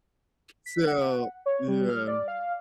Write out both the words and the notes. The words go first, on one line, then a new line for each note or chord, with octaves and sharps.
So, yeah.
B6
F#5
C#5
G3
F6
D5
F5